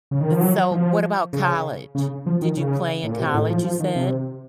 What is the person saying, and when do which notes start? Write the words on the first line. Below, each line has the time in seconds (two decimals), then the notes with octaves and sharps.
Eh, so what about college? Did you play in college, you said?
0.11 C#3
0.21 D#3
0.32 F3
0.41 F#3
0.71 F3
1.33 C#3
1.95 C#3
2.26 F3
2.42 D#3
2.57 C#3
3.04 A2
3.10 A#2
3.19 C3
3.34 A2
3.50 F3
3.64 F3
3.80 D#3
3.96 C3